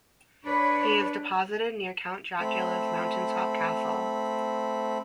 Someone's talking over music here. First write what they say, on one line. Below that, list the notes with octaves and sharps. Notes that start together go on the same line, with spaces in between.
He is deposited near Count Dracula's mountaintop castle.
D4 B4 C#5 D5 B5
A3 C4 B5